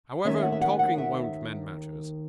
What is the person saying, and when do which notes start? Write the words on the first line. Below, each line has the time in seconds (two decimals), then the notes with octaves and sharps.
'However, talking won't mend matters.
0.25 D#2 D#3 A3 C#4 E5
0.42 F#5
0.52 E5
0.61 F#5
0.79 F#5
0.98 E5